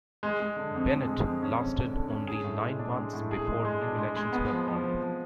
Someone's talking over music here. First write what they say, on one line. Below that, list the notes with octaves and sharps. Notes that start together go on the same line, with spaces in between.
Bennett lasted only nine months before new elections were called.
G#3
G#3
D3
F2
G#3
G#3
F2
C#4
F2
D3
D3
C#4
G#4
A2
G#3
D4
G#3
A2
G#4
G#3
G#3
D4
G#3
G#3
B3
F3
F3
F3
F3